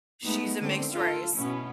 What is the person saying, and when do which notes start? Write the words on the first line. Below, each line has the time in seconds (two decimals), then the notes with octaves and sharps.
she's a mixed race,
0.22 G#3 A3 B3 D#4
0.61 D3 D#3 C4 C#4
0.91 F4 A4
1.35 B2 B3 C#4 E4